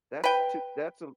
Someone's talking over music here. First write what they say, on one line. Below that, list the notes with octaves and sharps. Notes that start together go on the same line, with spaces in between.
that's to that's a
B4 G5